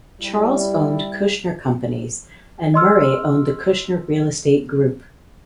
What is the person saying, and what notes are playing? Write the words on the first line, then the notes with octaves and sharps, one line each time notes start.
Charles owns Kushner Companies and Murray owns the Kushner Real Estate Group.
G3 E4
D#5 C6 E6 F6